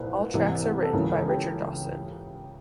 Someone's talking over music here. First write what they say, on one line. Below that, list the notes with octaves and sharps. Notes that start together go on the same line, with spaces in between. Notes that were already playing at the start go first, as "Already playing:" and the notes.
All tracks are written by Richard Dawson.
Already playing: C2 A#2 F3 B4
C2 C3 E3
A4
C#2 C#3 E3 A#4
A4
G4